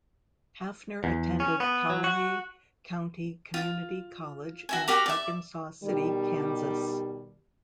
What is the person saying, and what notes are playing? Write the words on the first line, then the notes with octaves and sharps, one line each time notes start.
Hafner attended Cowley County Community College in Arkansas City, Kansas.
E2
C#4
B3
F#3
F#4
F4
F#4 E5 G#5
F#4 G4 A#4 D6
D5 E5
B2 D#3 G3